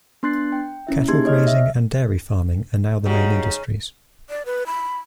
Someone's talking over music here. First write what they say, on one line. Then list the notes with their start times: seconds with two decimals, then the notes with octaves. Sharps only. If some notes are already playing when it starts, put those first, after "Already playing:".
Cattle grazing and dairy farming are now the main industries.
0.23 B3 D4 C6 F#6 A6 C7
0.52 G5
0.87 C#4 E4 E5
1.08 A#3 D#4 G4 G#4 C6 G#6
1.25 C#5 D#5 F6
1.47 E5
3.06 C#3 G3 D#4 F#4
4.30 D5
4.46 B4
4.66 B5